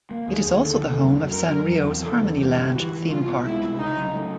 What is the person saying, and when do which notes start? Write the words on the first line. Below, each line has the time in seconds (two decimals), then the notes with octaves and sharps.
It is also the home of Sanrio's Harmonyland theme park.
0.11 A#3
0.28 D#2 G#4
0.46 D#2
0.63 D3 A4
0.82 D#2
0.99 F#2
1.16 F#2
1.34 F#2 A#4
1.51 F#3
1.69 E2
1.87 F3
2.04 C#3 A4
2.22 E2
2.39 G1 G4
2.56 G1
2.74 E3 F#4
2.92 E3
3.09 C2 F4
3.28 B2
3.44 G#3 E4
3.63 C2
3.80 C#3 D#4
3.97 F#3
4.15 A3